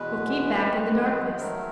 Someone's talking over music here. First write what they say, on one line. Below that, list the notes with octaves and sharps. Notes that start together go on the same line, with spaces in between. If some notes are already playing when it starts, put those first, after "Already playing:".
We'll keep back in the darkness.
Already playing: E2 B2 G#3 B4
F#2 D#3 G#3
G#2 D#3 F#3 A3 A#4